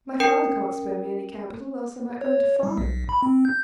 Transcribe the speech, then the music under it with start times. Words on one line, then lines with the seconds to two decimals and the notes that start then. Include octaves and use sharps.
My father can't spare me any capital, else I might go into farming.
0.20 C#4 A#4 G5 C#7
2.21 C#5
2.63 G3
2.78 B1
3.09 B5
3.22 C4
3.45 G6